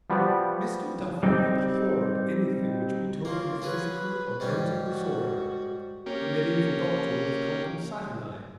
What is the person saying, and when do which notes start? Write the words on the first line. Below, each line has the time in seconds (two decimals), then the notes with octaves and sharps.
Mr. Duffy abhorred anything which betokened physical or mental disorder. A mediaeval doctor would have called him saturnine.
0.10 F3 G3 B3 F#4 D5
1.23 G3 C4 D#4
3.25 C#3 A#3 F4
3.62 C#4 F#4 G#4 B4
4.40 G#2 G3 C#4
4.85 F#4
6.06 A#3 C#4 G4